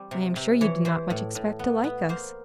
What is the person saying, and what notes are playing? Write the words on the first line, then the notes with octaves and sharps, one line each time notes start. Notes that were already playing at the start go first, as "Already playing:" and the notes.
I am sure you did not much expect to like us.
Already playing: G3 C4
C3
C3
E3 C#5
E3 C5
A2
A2
B3
B3
A#3 C5